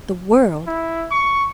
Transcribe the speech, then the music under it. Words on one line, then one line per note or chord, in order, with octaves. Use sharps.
The world!
E4
C#6